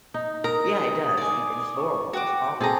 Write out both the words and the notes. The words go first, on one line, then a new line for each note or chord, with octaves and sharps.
Yeah, it does, it it's horrible, it's awful.
D#4
A#4 A#5 D#6
D5 G#5
C#6
F#4 F#5 G5 D6
C4 G#4 A4 A5 A#5